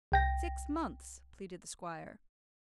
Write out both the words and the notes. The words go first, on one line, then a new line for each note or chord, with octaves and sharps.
"Six months," pleaded the squire.
C2 G5 A#6